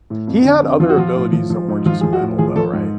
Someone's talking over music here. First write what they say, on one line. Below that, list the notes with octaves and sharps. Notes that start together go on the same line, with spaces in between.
He had other abilities that weren't just metal though, right?
A2
F2
D3
F2
F3 F4
F#4
F3 F4
A2
F3
F3
G#2
F3 F4
F3 G#4
F#4
A2
F3 G#4
F3 A4
G#2